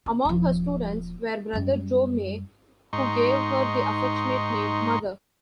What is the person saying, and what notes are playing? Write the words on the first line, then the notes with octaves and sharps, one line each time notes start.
Among her students were Brother Joe May, who gave her the affectionate name "Mother".
C4
D#1 F3
F#2 G3
G#2 D#4 C6 C#6